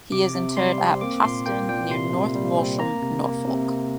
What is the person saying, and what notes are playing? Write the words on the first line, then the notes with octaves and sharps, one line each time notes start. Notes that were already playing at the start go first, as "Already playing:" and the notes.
He is interred at Paston, near North Walsham, Norfolk.
C3 D6
C3
G3 C6
C4
A#3 D6
A#2 C6
A#3 G5
A#2 G5
C3 C6
C3
G3
C4
A#3 A#5
C3
A#3
C3
A#3